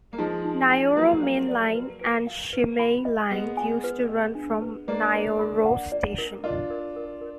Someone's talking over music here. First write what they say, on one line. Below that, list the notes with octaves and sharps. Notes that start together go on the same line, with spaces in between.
Nayoro Main Line and Shimmei Line used to run from Nayoro Station.
A#3
F3 G#3 D#4
D#4
G#5
F#3 A#3 B4
F5
D5
B4
B4
F5
B4
B5
D#5
G#3 B3 B4
G#5
B4
D#5
D4
B4
A#3 D4 B4
B4
B5
F#5
D5
A#4
D4 F4 A#4
A#4
A#4
A#4